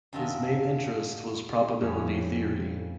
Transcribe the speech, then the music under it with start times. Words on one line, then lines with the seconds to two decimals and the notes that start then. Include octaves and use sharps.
His main interest was probability theory.
0.13 F#2 D#3 D4 F4 E5
1.82 F2 A2 G3 B3 C#4